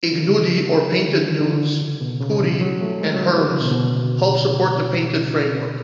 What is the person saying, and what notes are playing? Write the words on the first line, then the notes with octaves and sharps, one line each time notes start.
"Ignudi" or painted nudes, putti, and herms help support the painted framework.
D3
C#3
D3
E3
D3
C#3
B2
C#3
C#3
E3
F#3
F#3
A3
G#3
F#3
E3
D3
C#3
B2
B2